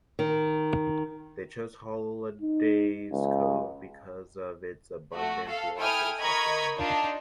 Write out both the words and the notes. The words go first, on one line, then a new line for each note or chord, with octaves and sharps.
They chose Hollidays Cove because of its abundant water supply.
D#3
D#4
C#2
A3 F#4
A4 F5
E4 A4 G5 G#5 D#6 F6
A#4 D#5 A#5 B5 C#6 G#6
D4 D#4 F4 A5